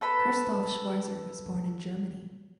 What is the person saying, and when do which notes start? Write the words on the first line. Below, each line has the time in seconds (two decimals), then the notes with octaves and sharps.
Christoph Schweizer was born in Germany.
0.01 A4 B4 B5